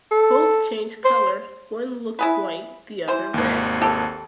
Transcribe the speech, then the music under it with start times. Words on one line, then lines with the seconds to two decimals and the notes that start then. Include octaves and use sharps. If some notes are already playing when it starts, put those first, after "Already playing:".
Both changed colour, one looked white, the other red.
0.11 A4
1.05 C5
2.19 E4 G#4 B4
3.08 E3 C5
3.34 G#1 D#2
3.81 G4 A4